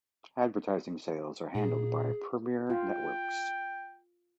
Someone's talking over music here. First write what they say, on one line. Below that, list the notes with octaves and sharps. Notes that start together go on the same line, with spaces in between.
Advertising sales are handled by Premiere Networks.
A#2 G#4
F4 G5